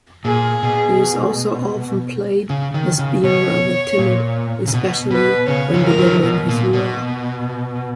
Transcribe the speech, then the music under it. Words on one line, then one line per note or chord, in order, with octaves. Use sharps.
He is also often played as being rather timid, especially when delivering his "roar".
A#2 G#4
B2
C#3
D#3
C#3
B2 C#5
A#2
C#3
B2
B2 B4
C#3 C#5
C#3 F3
G#3 A#4
D#3 F#3
B2
A#2
B2